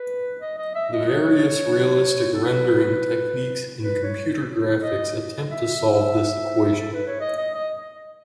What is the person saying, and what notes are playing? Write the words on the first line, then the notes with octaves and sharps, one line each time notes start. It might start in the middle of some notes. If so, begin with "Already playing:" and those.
The various realistic rendering techniques in computer graphics attempt to solve this equation.
Already playing: B4
D#5
D#5
E5
D#5
C#5
A4
B4
B4
C#5
D#5
E5
A4
B4
C#5
D#5
D#5
D#5